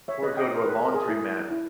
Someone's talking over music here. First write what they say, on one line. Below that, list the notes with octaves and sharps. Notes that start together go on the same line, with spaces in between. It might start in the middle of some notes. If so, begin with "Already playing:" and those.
Or go to a laundromat,
C#5 E5
B4 D#5
D#5 G5
A#4 C#5
B4
A#4
G#4
E4
E4